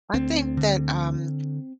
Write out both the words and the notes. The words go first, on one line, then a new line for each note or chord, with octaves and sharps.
I think that, um,
D2 C4
D3